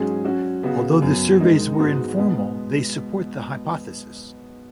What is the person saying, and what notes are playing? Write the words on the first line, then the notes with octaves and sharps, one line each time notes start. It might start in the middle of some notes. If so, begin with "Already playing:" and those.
Although the surveys were informal, they support the hypothesis.
Already playing: G#2 F#3 C#4 G#4
F#3 C#4 F#4
C#3 B3 F#4
F#2 F#3 B3
G#2 D#3 G#3 D#4
G#2 G#3 B3 F#4
B2 G#3 B3